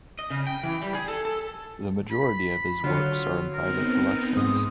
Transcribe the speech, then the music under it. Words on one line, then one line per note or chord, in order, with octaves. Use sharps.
The majority of his works are in private collections.
D#5
C#3
G5
E3
G3
G#4
A4
A4
B5
D3 F4 F#4 C#5
B3 C4 D#4 A#4
G#2 G#3 D#6